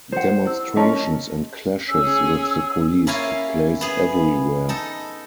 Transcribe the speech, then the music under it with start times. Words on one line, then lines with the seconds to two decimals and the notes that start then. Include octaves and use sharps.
Demonstrations and clashes with the police took place everywhere.
0.12 C5 F#5
0.45 E4 E6
0.77 C#4 A#4 D#5 A5 C6
1.89 C#4 G#4 E6
3.07 A#3 C#4 E4 F4 F5 G#5
3.81 B3 G#4
4.69 D#4 A4